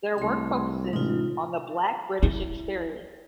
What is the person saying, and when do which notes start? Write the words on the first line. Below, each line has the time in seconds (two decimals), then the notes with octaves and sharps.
Their work focuses on the Black British experience.
0.18 C2 A3 C6
0.93 A1 C3 G#3 D#4 F4
2.23 E4